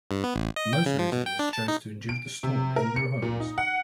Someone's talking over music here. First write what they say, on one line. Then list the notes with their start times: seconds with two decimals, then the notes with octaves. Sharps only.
Most residents chose to endure the storm in their homes.
0.11 G2
0.24 B3
0.36 A1
0.56 D#5
0.73 G5
0.86 C#3
0.99 F3
1.12 B2
1.26 G5
1.39 D4
1.53 A5
1.68 D#4
2.09 D7
2.43 C3
2.76 A#4
2.96 C#7
3.22 A#2
3.40 D#4
3.58 F#5